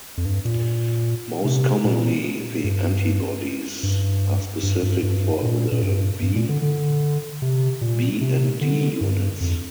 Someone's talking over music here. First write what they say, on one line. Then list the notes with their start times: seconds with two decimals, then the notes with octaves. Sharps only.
Most commonly, the antibodies are specific for the B, B' and D units.
0.17 F2
0.25 G2
0.45 A#2
1.45 C3
1.84 A#2
2.64 G2
3.83 G2
4.63 G2
4.83 G2
5.03 G2
5.43 A#2
5.72 A#2
5.82 G2
6.22 G2
6.36 A#2
6.49 D3
6.62 D3
7.42 C3
7.81 A#2
8.21 C3
8.61 D3
9.01 G2
9.40 F2